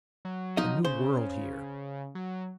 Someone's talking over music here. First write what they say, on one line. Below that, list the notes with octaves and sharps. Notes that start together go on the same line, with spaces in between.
A new world here.
F#3
F3 D#4 D#5
C#3 C5
F#3